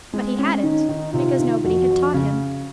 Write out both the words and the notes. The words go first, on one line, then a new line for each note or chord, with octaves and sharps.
But he hadn't, because nobody had taught him.
G#3 C4
C#4
D#3 D#4
D#3
C3 F4
D#3
F2 F#4
F2
C#3